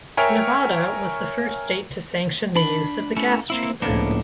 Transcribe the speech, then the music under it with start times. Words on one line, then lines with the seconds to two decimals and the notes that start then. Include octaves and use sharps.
Nevada was the first state to sanction the use of the gas chamber.
0.17 A#4 C#5 E5 G5 G#5
2.56 D4 B5
3.16 A3 C#4 E4
3.50 A#3 C4 E4
3.82 C#2 A2 F3 A#3 B3 D4